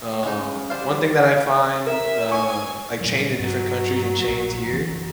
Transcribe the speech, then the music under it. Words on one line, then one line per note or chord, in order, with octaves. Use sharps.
Um, one thing that I find, uh like, chains in different countries and chains here
C#3 G#3 D#4
E2 G3 D4 C5 F5
A#4 E5
G#5 C#6
A#2 F#3 G3
G2 F#3 B3
A#1
F#1 C#3 E3